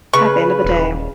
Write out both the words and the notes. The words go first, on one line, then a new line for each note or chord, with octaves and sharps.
At the end of the day.
C#3 B4 C#6
D#1